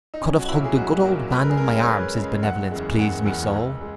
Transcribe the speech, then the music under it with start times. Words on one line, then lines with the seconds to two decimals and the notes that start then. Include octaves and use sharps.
I could have hugged the good old man in my arms, his benevolence pleased me so.
0.14 D#4
0.21 B1 C#4
0.39 F#4
0.48 A#2 F#3 A#3 E4
0.64 G#4
0.76 B1 F#4
1.04 A#2 F#3 A#3
1.31 C#2 B4
1.41 A#4
1.50 G#4
1.57 C#3 G#3 A#4
1.77 C#5
1.87 C#2 B4
2.15 C#3 G#3
2.43 F#1 F#5
2.71 E2 C#3 G#3
2.98 F#1 F#5
3.26 E2 C#3 G#3 F#5
3.54 C#2
3.81 G#3